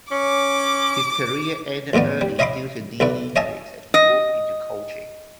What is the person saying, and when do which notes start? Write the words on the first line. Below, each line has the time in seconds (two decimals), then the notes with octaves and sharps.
His career ended early due to knee injuries, and he moved into coaching.
0.11 C#4 D6
1.93 A1 E2 D#3 B3 D5
2.21 G3
2.39 C#5 D#5 E5 B5 C6 D6
3.00 B1 E4 B4 D5
3.36 C#5 D#5 E5 G#5 A5
3.94 D#5